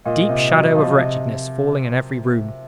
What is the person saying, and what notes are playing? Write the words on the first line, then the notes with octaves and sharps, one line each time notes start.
Deep shadow of wretchedness falling in every room.
A#2 D#5
C3
F#3
F3
C3